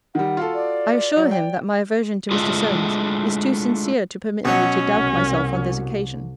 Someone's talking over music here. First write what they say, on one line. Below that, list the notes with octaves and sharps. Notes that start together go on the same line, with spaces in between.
'I assure him, that my aversion to Mr. Solmes is too sincere to permit me to doubt myself on this occasion.
D#3 G3 F#5
F4 F#4 A4
D5
F#3
G5
G#3 A3 D4 E4 F4 G#4
B2 F#3 C#4
C2